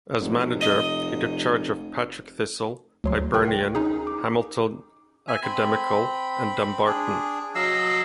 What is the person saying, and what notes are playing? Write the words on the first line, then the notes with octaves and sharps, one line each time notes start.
As manager, he took charge of Partick Thistle, Hibernian, Hamilton Academical and Dumbarton.
F1
D#5
D2 F#3 C6
C3 F4 A#4 G5 F#6
C#4 D#4 G#4
D6
E5 G#5
C4 B5
D4 G#4
F#3 D#5 F5 E6